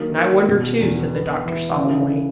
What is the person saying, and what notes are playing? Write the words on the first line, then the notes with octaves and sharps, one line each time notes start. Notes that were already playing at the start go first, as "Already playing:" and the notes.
"And I wonder too," said the doctor solemnly.
Already playing: D#3 F#3 A#3
D#3
B2
E2
B3
E3
C#3